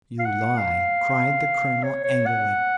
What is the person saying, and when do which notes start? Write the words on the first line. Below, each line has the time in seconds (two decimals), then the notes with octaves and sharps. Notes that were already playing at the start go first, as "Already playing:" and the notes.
"You lie!" cried the colonel, angrily.
0.19 F5
0.25 F#5
0.58 F5
1.83 C#5
2.04 C#5
2.26 F#5